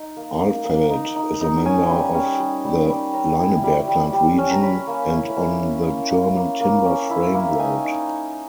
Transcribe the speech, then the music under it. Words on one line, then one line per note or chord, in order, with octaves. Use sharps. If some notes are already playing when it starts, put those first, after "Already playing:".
Alfeld is a member of the Leinebergland region and on the German Timber-Frame Road.
Already playing: D#4
A#3
A#3
A#3
D#4
D#4
D#4
C#4 G#5
G3
C#4
G3
G3
G3
C#4 A#5
E4
G3
G3
G3
C#4
A#5
C#4 B5
A#3
E4
A#3
C#4
A#3
A#3
A#3
A#3
C#4
E4
A#3
D#4 G#5
D#4
D#4